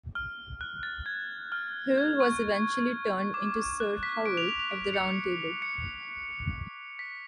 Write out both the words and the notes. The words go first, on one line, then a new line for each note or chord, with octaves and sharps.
Hoel was eventually turned into "Sir Howel" of the Round Table.
F6
F#6
A6
G#6
F6
G#6
C#6
D6
F#6
B6
D7
F7
F7
F7
D7
C#7
C#7
B6